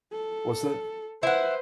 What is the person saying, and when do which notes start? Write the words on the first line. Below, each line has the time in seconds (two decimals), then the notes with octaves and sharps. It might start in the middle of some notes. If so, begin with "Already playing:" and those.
What's that?
0.13 A4
1.23 E4 B4 C5 F#5